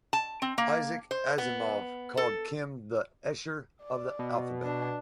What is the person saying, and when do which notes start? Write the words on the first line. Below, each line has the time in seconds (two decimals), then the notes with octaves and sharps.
Isaac Asimov called Kim "the Escher of the alphabet".
0.13 A5
0.42 C4
0.58 A#3
1.11 C5
1.38 B3
2.17 A4
3.83 D5
4.19 B2
4.64 D4